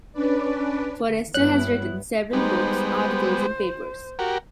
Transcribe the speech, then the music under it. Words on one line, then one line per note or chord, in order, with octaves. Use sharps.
Forrester has written several books, articles and papers.
C#4 D4 B4 D5
G2 B3 E4 C#5 F#6
G3 G#3 B3 D#4 C5
C5
F#4 G4 A#4